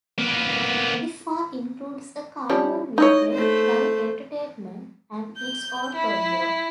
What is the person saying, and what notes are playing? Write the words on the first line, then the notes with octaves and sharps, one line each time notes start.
The fair includes a carnival midway, live entertainment, and its own rodeo.
A#3 B3
F3 G3 C#4
D#4 E4 C#5 D#5
A3 C5
G6
E4